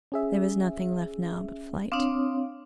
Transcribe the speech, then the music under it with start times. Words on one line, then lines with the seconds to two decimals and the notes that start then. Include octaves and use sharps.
There was nothing left now but flight.
0.12 C#4 G#4 E5
1.92 C4 D4 C#5 F5 D6 D#6